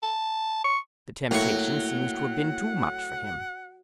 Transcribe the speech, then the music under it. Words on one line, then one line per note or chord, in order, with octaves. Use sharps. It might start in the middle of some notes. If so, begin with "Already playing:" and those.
The temptation seems to have been too much for him.
A5
C#6
A2 F#3 A#3 E4 F#5 C#6